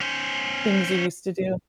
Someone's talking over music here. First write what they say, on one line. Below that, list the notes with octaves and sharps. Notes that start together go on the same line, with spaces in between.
things you used to do.
C#4 C5